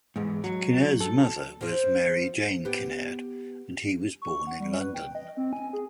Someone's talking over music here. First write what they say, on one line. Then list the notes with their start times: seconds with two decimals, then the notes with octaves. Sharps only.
Kinnaird's mother was Mary Jane Kinnaird and he was born in London.
0.16 E2 G#2
0.44 F#3
1.00 A4
1.61 F3 C4
2.65 B3 G4
4.22 C#6
4.47 F#5
4.60 G3
4.79 B4
4.95 G5
5.15 D#5
5.37 C4
5.53 G#5
5.73 G#4